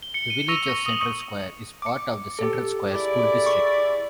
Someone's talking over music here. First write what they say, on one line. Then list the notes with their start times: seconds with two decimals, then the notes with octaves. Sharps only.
The village of Central Square is part of the Central Square School District.
0.03 G7
0.14 C#7 G7
0.30 D#7
0.48 C#6 E6 A#6 D#7 F7
0.68 A#6
0.86 D#6 F#7
1.82 D6 C#7
2.39 G4 A4
2.93 E4 G#4 D5
3.46 C#6